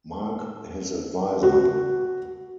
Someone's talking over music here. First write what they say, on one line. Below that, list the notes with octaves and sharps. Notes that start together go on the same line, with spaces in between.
Mark, his adviser.
F#4